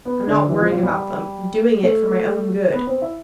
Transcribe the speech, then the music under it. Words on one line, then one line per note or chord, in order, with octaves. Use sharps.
"I'm not worrying about them; I'm doing it for my own good."
B3
D3 D4
E3 E4
F3 F4
F3 F4
G3 G4
A3 A4
B3 B4
C4 C5
E4 E5